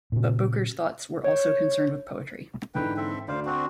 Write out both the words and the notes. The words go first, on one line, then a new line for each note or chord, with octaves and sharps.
But Boker's thoughts were also concerned with poetry.
A#2 C#3
C#5
G#2 D3 E3 B4 G5
C4 A4 E5
D2 C5 D5 F5
C4 D4 F#4